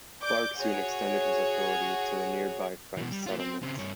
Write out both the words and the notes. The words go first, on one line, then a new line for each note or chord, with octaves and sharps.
Clark soon extended his authority to the nearby French settlements.
D5 D6 G6
F#4 G#4 C#5
B2 E3
G3
A#3 F4
C4
C#3 C4
G2 C#5